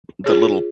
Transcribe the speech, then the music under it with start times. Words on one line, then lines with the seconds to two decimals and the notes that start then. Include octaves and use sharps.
the little
0.24 F4 G#4 C#5